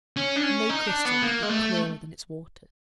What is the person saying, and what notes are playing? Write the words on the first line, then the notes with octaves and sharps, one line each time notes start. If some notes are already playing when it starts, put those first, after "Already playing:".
No crystal could be clearer than its waters.
C#4
D4
C#4
D#4
D4
B3
A#3
G#3
A3